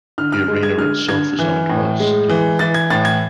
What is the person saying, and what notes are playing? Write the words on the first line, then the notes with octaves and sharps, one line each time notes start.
The arena itself is owned by the city.
D3 F6
F6
G#3
G#6
D3 F6
D3 G#6
E3
A2
G#3
E3
E3 A6
G#6
A2 A6
G#6